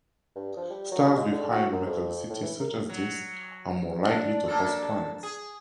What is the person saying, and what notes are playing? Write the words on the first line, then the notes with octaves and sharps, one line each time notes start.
Stars with higher metallicity such as this are more likely to host planets.
G2
F3
G3
F#3
G#3
D3
F#4
F#2
F2
A2
E3
A#4
F#3
D4
A#3 D4 A4
G#4